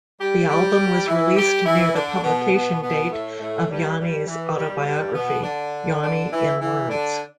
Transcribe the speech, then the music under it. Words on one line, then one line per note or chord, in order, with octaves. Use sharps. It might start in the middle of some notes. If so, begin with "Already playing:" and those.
The album was released near the publication date of Yanni's autobiography, Yanni in Words.
G3 G4
G3 G4
E3 E4
G3 G4
E3 E4
D3 D4
B2 B3
B2 B3
B2 B3
A2 A3
A2 A3
G2 G3
G2 G3
E3
G2 G3
G2 G3
B2 B3
D3 D4
D3 D4
E3 E4
E3 E4
D3 D4